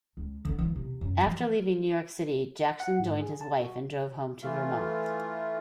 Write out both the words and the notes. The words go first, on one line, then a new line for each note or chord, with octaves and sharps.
After leaving New York City Jackson joined his wife and drove home to Vermont.
C#2
D3 D4
D#3 E3
E2 C3
F#2
E3 F3
F#5
G#2
G#4
A5
F#4
E3 A3 F4